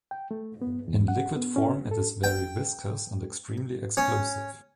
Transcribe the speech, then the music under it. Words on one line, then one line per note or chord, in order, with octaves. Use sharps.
In liquid form it is very viscous and extremely explosive.
G5
A3
B3
E2
F#5
B3
C#4
A4
G5
C#4